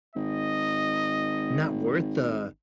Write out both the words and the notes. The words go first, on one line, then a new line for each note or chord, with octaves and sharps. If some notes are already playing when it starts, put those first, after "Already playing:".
not worth the
G#1 D#5